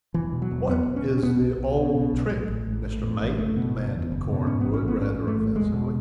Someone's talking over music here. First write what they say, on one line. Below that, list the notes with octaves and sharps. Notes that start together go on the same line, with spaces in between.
"What is the old trick, Mr. Mate?" demanded Cornwood, rather offensively.
E1 E3
B2
F#3
E1
E2 B3
E1
C#4
B2
C#4
B2 B3
B1
B1
B2
B2
B1
A2
A1
A1
A2
A2
A1
F#1 A3
B2 B3
F#1
E2
F#1
B2
G#2 C#4
A1 B3
C#4
A1 B3
G#2 C#4
G#2
A3
A1
E1 G#3
B2